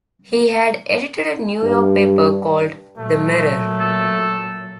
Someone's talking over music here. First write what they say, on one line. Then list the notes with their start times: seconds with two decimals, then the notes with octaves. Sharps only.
He had edited a New York paper called "The Mirror".
1.63 G2
2.98 A#2 F#3 A3
3.80 A4